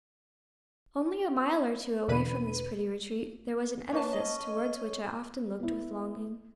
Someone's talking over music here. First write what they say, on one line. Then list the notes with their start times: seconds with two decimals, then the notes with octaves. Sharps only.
Only a mile or two away from this pretty retreat there was an edifice towards which I often looked with longing.
2.08 E2 B2 D3 B4 B5 D#7
3.93 A#3 C#4 B4 A5
4.13 D#5
5.60 B3 E4